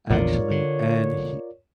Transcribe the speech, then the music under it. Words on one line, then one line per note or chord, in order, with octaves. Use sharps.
actually, and he
A#1 E2 D3 F4 A#4 C#5 D5
D3